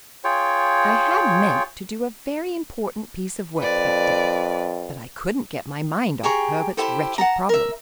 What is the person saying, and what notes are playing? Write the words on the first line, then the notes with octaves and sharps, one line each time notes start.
I had meant to do a very important piece of work that day, but I couldn't get my mind off Herbert's wretched problem.
F4 G#4 C#5 G5
F2 B4 D5
G4 G#4 A#5 C#6
E4 G4 A4 C5
F#5 A5 A#5
A#4 E5